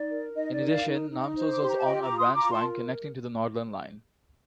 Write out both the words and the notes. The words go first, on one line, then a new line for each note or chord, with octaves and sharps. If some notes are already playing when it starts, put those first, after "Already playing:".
In addition, Namsos was on a branch line connecting to the Nordland Line.
Already playing: D#4 D5
A#4
D#4 D#5
D5
A#4
D5 F5
D#4
D#4
C5
D6
G4 C6
A#5
A5
F4 D#5 G5
A#5 D6
F4
C6 D#6
F4 A#5 D6
A5 C6
A#4